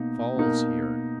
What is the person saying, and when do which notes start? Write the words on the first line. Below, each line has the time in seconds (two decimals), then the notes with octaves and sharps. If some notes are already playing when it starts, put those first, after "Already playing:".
Fall's here.
Already playing: B2 A#3 D#4
0.36 B2 A#3 D#4 A#4